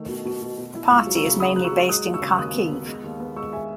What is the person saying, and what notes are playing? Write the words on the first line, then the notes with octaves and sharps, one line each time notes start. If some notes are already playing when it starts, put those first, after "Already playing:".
The party is mainly based in Kharkiv.
Already playing: D#3 A3
B2
B2
B2
B2
E4
C#2 C#6 E6
F#3
C#6 E6
C#3
C#3 B5 D#6
F#3 F#6
C#6 E6
F#3
G#3 D#6 F#6
D#2
C#6 E6
C#3
D#2 D#6 F#6
B3
B3
G#3
D#2
B3
G#3 C#6 E6
E5 G#5